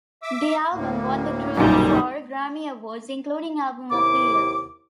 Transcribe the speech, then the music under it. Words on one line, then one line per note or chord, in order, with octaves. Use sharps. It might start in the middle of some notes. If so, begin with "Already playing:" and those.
The album won the group four Grammy Awards, including Album of the Year.
E5 D6 E6
D2 A2 A#3
B1 F#2 A#2 G3 D#4
D#2 C3 E4 D6